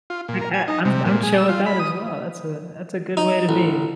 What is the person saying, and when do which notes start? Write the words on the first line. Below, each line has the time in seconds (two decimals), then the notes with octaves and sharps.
Like I I'm I'm chill with that as well. That's a that's a good way to be.
0.10 F4
0.28 A#2
0.41 A#4
0.54 G#5
0.68 D#4
0.85 C3
1.05 A#2
1.23 G#4
1.38 E6
1.49 F4
1.66 B5
1.80 D#6
3.17 D#4
3.49 A1